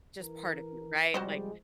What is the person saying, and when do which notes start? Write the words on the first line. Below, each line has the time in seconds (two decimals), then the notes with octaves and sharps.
just part of you, right, like,
0.19 E3 A#4
1.14 C3 F3 G3 G#3 F#4 C5 D#5